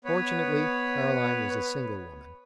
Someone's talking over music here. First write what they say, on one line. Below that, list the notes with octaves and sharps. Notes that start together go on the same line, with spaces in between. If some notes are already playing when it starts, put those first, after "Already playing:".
Fortunately, Caroline was a single woman.
B3 B4 C#5